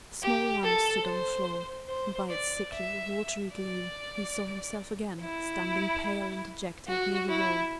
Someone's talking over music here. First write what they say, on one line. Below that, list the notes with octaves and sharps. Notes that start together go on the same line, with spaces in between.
A small lamp stood on the floor, and by its sickly, watery gleam, he saw himself again standing, pale and dejected, near the wall.
G4
A4
C5
C5
D5
E5
D5
E4
F#4
E4